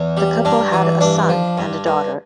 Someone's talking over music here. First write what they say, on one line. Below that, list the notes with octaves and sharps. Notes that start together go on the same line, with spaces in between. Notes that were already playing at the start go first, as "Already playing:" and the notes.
The couple had a son and a daughter.
Already playing: E2
G3
G2 D4
E3
G2 D4
F3
G2
G2